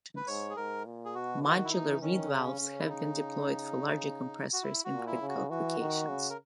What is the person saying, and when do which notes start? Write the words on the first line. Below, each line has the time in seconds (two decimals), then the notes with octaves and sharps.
Modular Reed Valves have been deployed for larger compressors in critical applications.
0.17 B4
0.27 G#2 C#5
0.50 G#4
0.56 G#2 A#4
0.86 A#2
1.05 G#4
1.15 B2 F#4
1.43 D#3 F#4
1.64 E4
1.72 E3 D#4
2.02 D#3 C#4
2.30 C#3
2.60 C#3
2.80 E4
2.89 D#4
4.53 F#4
4.63 E4
4.85 F#4
4.92 A#2
5.07 E4
5.21 C#3
5.28 F#4
5.50 E3 F#4
5.79 D#3
6.09 C#3
6.30 A#4